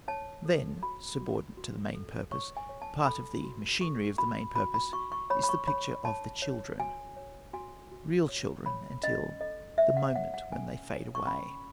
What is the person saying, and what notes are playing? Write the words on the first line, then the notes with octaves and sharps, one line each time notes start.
Then, subordinate to the main purpose, part of the machinery of the main purpose, is the picture of the children--real children until the moment when they fade away.
C#5 A5
A4
F#4 B5
F#4
F#4
A4
C#5 C#6
G#5
C#5
A5
A4 B5
F#4
A4 C#6
F#4 B5
F#4 B5
B5
F#4 C#6
C#6
C#5 B5
B5
C#6
C#5 B5
C#5 A5
C#5
F#4 G#5
C#5
F#4 G#5
F#4
C#5
C#5 B5
C#4 D#5
A4 D#5
C#5 E5
F#5
C#5 F#5
F#5
C#4 G#5
C#5
C#6
C#4 B5